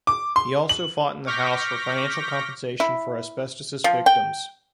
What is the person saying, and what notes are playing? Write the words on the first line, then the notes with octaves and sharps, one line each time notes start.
He also fought in the House for financial compensation for asbestosis victims.
D6
C6
F#7
C#6 D6 F6 G6 A#6 B6
E4
F3
G5